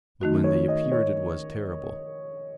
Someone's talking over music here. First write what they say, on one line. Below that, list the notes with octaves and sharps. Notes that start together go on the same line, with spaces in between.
But when they appeared it was terrible.
D#3 A3 D#4 F#4
C#5
D#5
C#5